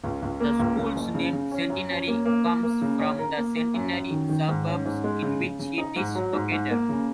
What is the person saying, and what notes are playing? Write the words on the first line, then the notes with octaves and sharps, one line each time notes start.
The school's name "Centenary" comes from the Centenary suburbs in which it is located.
C#2
C#2
A#3
C#2
C#3
F#1
C#3
C#3
C#4
F#2
C#4
A#3
A#3
A#3
A#3
C#3
C#4
A#4
A#3
A#3
F#2
F#2
D#3
D#3
G#2
C#4
G#2
G#3
C#3
C#3
C#3
D#4
G#2
F#3
G#2
G#2
A#3
C#3